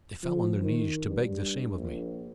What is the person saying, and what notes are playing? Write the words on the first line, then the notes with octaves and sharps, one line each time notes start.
They fell on their knees to beg the same of me.
F3
D#3
G2
A#1